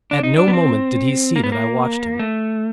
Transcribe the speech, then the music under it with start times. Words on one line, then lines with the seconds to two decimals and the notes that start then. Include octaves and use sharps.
At no moment did he see that I watched him.
0.11 D4
0.23 D#4
0.37 D4
0.48 B3
0.53 C4
1.36 A#3
1.44 B3
1.52 A#3
2.19 A3